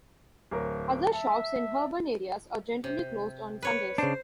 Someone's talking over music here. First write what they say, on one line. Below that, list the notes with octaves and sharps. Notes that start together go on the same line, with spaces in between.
Other shops in urban areas are generally closed on Sundays.
D1 A#4 C#5
E5 A5
C3
B4 C#5
C#3 D4 C5